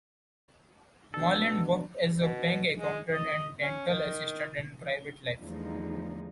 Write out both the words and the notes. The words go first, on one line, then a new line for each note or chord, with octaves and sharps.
Marland worked as a bank accountant and dental assistant in private life.
B2 D4 A4
B2
G#3
D#5
C#4
D#3
E2 D3 F3 G3 A3 D#4